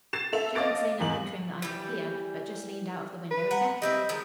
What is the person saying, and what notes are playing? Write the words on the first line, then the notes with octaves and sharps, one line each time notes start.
She didn't say nothing to him that I could hear, but just leaned out of the window and beckoned.
A6 C7 E7
A4 E5 F7
D#5 F5 D6 A6 D7
G#1 E2 F#7
E3 G3
B4
A#4 F#5
G3 C4 E4 D#5
D#3 F3 G#3